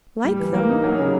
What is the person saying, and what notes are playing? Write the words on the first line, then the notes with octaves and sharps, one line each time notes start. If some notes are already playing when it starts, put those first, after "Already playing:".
Like them!
G3
E3
A#3
D#4
F#3
C#3